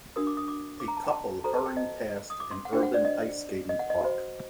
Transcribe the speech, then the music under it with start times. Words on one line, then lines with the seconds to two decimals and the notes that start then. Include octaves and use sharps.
A couple hurrying past an urban ice skating park.
0.16 D4 F#4 A#4 D#6
0.27 D6
0.37 D#6
0.48 D6
0.80 D6
0.88 A#5
0.97 A5
1.04 G5
1.13 A5
1.44 F#4 A4 C5 A#5
1.55 A5
1.66 G5
1.77 D#5
2.30 D#6
2.40 D6
2.51 C6
2.65 F#5
2.72 D4 F#4 C5 G5
2.83 F#5
2.94 D5
3.05 D#5
3.69 D#5
3.79 F#5
3.90 D#5
4.01 F#4 C5